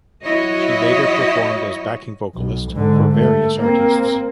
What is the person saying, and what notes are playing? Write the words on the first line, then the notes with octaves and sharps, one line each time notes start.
She later performed as backing vocalist for various artists.
F#3 E4 F#4 C#5 D#5
B1
G#2 D3
A3
A#3 C4